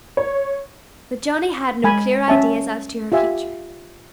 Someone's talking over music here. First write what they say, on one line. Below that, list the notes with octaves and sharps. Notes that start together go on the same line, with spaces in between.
But Johnnie had no clear ideas as to her future.
C#5
G#3 G#5 B5
C#4 E5 A5
F4 G4 E5 G#5